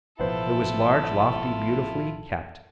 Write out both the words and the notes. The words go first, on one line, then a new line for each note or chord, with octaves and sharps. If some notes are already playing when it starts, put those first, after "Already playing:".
It was large, lofty, beautifully kept.
A1 B2 F3 B3 E4 F4 A4 C5